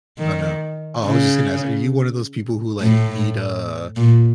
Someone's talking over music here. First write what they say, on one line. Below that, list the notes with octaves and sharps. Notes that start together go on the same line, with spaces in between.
Oh, no. Oh, I was just gonna ask, are you one of those people who, like, need a
D#3
C#3
A2
A#2